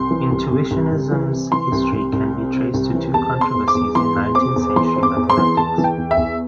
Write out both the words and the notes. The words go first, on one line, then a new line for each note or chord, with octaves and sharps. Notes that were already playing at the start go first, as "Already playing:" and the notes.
Intuitionism's history can be traced to two controversies in nineteenth century mathematics.
Already playing: C2 C6
E3
C2
C2
C2
C2
E3
C3
E3 C6
C2
C2
C2
C3
C3
C2
E3
E2 A5
C4
C6
E2
D6
E2
E3 C6
E2
C4 D6
E2
E3 C6
C4
D6
E2
C6
E3
E2 A5
E3
G5
E2
E5
E2